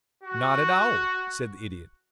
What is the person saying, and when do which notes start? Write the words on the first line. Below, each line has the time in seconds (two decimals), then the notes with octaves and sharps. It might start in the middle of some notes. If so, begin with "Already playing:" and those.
"Not at all," said the Idiot.
0.23 F#4